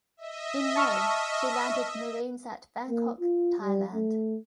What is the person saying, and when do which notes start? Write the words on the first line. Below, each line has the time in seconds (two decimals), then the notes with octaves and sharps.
In May she landed Marines at Bangkok, Thailand.
0.17 D#5 E5
0.76 A5 C#6 F6
2.89 A#3
3.20 F4
3.60 G3
3.93 A3